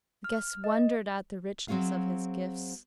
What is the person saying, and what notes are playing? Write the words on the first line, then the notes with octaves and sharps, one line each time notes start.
The guests wondered at the richness of his gifts.
F6
D#5
F#3 C4 F#4 G#4 F5